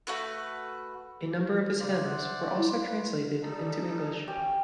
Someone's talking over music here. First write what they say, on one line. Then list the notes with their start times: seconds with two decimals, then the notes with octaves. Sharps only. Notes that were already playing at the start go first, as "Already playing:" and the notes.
A number of his hymns were also translated into English.
0.07 A3 F#4 B4
1.80 G2 C#3 C5 D5 F5
2.04 E5 F#5 C6
2.58 E4
2.73 B4 F5
3.42 G3 D#4 A4
4.28 C#4 G4